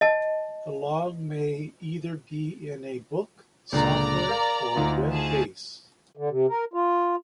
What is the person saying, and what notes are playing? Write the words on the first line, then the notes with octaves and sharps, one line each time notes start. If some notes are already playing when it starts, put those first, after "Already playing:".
The log may either be in a book, software, or web based.
D#5 A5
C#2 A#2 D3 D5 A#5
A#4 F5
D2 D#4 F4
G#4 A5
D3
C3
A#4
F4